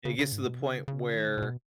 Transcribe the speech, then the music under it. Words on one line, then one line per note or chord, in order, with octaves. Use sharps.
It gets to the point where
C#3
C#3
G#2
B2
C#3
C#3
D#3
C#3
A#2
B2